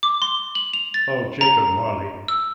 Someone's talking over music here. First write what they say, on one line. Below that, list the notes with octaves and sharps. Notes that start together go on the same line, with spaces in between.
O Jacob Marley!
D6
C6
F#7
F7
A6
A#5
E6